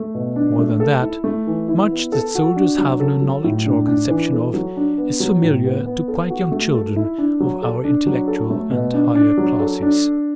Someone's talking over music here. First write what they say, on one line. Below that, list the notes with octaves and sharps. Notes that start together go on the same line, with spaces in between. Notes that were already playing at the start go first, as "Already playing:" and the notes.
More than that, much that soldiers have no knowledge or conception of is familiar to quite young children of our intellectual and higher classes.
Already playing: A3
B2
D4
A3
A4
E4
A3
E3
E4
B3
A4
F#4
D4
F#3
A4
F#3
A2
D4
D4
E3
A4
F#3
D4
B3
F#3
A2
B3
B3
A4
F#4
A3
A4
E4
D4
F#3
A4
D4
F#3
A4
A3
B2
D4
D4
F#3
A4
D4